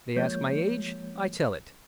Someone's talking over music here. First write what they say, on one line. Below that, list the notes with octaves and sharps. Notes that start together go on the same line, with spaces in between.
They ask my age; I tell it.
F3 G#3 A#3 C#5 G6